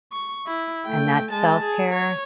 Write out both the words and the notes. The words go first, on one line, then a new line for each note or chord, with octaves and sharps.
and that's self-care,
C#6
E4
A3 G5
G#3 A5
G#4
C#5